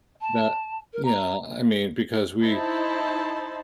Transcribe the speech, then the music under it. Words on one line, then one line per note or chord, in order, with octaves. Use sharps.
but, you know, I mean, because we,
A5
A#4
A#5
D#4 E4 C5 A5